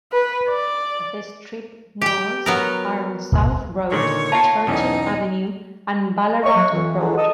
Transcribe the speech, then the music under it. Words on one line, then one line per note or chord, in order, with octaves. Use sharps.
The strip malls are on South Road, Churchill Avenue and Ballarat Road.
B4
D5
G4 G5
F#3 B3 A#4
G#1 D#2 B2
A#2 D3 D#3 C#5
F4 F5 A5 A#5
B1 E2 C#4 D#4
D#5 E5 C#6
F#3
F2 E3
D3 F#3 G#3
A4 D#5 D#6